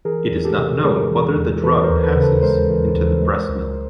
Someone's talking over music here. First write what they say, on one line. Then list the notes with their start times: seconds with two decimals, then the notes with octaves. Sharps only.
It is not known whether the drug passes into the breast milk.
0.05 E3 G#4 A#4
0.31 E2
0.44 G4 A4
0.58 C3
0.84 G#3 G#4 A#4
1.11 E3
1.37 E2
1.63 E3 A4 B4
1.83 A#4 C5
1.89 D#2
2.03 A4 B4
2.16 C#3
2.23 A4 B4
2.42 G#3 A#4 C5
2.69 E3
2.95 D#2
3.22 G#3
3.48 C#2